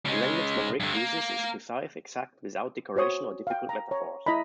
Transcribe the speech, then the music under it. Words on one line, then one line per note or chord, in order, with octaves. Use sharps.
The language Manrique uses is precise, exact, without decoration or difficult metaphors.
C#3 G#3
G2 D3
A#3
F#4 C5 C#5 D#6
F5 G5
A#5
C#5 A#5
E4 D#5 A#5 B5